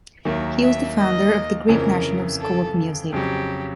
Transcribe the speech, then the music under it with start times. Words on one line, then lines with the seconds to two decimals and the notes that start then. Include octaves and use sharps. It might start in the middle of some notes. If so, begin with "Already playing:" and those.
He was the founder of the Greek National School of Music.
0.25 D#2 D#3 F#3 A#3 E5
0.61 E5
0.97 D#5
1.69 F2 C#3 E3 A#4
2.41 A4
3.12 F2 C#3 F#3 G4